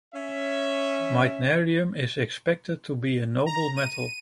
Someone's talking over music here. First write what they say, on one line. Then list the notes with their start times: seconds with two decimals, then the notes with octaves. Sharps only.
Meitnerium is expected to be a noble metal.
0.15 C#4 E5
3.46 A#5
3.76 D#7